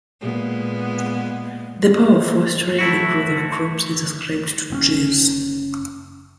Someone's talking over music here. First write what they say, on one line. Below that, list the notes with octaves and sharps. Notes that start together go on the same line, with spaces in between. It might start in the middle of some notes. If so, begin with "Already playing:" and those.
The power of fostering the growth of crops is ascribed to trees.
A#2 G#3 B3
A3 E4 F#4
F#1 C4 C#4